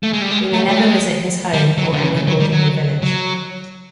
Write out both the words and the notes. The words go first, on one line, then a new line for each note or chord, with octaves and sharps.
He may never visit his home or any ordinary village.
A3
G#3
G3
G#3
A3
A3
G#3
G3
F#3
D3
C#3
C#3
F#3
G3
F#3
F#3